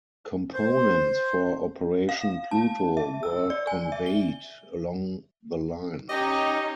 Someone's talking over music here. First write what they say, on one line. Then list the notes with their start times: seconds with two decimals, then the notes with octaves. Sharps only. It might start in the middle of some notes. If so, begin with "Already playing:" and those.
Components for Operation Pluto were conveyed along the line.
0.54 C5
2.09 F5
2.51 A5
2.97 E5
3.23 E6
3.50 D5
3.67 G#5
3.92 E5
4.06 G7
6.09 C#4 D#4 G4 D#5